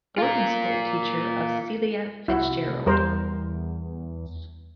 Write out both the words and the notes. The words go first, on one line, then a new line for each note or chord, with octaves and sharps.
Boarding-school teacher of Celia Fitzgerald.
F4 A#4
C2 E4 F#4
E2 G3 A#4 C5